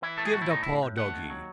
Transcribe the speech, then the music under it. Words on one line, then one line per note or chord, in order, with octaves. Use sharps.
Give the paw, doggy!
E3 E4
A3 A4
G#4
A2 F#4
E4
A2 D#4
A2 E4
A2
A3 F#5
D#2
F#3